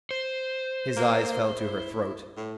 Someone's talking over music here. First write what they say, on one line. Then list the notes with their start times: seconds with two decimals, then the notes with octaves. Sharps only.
His eyes fell to her throat.
0.11 C5
0.96 A#3
1.56 E4
2.36 A2